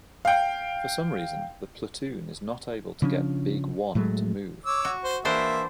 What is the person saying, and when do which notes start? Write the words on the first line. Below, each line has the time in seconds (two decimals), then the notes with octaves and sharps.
For some reason, the Platoon is not able to get Big One to move.
0.25 F5 G5
3.02 C#3 F3 C#4 D4
3.95 A2 F#3 G#3 A3
4.65 C#5 D6 E6
4.85 F#4
5.04 C5
5.25 E3 A#3 D4 C5 E5